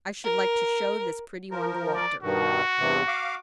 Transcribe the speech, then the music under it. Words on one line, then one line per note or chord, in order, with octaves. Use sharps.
I should like to show this pretty one to Walter.
A#4
F3 A#4
D5
G2 B2 D#3 F#4
E2 G2 C3
F5 D6